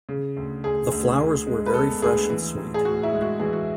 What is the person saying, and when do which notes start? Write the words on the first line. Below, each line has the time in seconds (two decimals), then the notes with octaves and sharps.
The flowers were very fresh and sweet.
0.09 C#3
0.37 D2
0.64 D2 G#4
0.92 D2
1.19 D2
1.47 G#3
1.66 B4
1.74 B3 A4
2.02 D2 G#4
2.29 E3
2.57 A2
2.74 G#4
2.85 A2 F#4
3.03 E4
3.12 G#3
3.21 F#4
3.39 E3 G#4
3.53 F#4